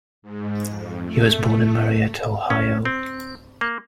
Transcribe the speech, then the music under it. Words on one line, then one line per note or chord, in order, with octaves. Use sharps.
He was born in Marietta, Ohio.
G#2
F2
A3
C#4
C4
A#3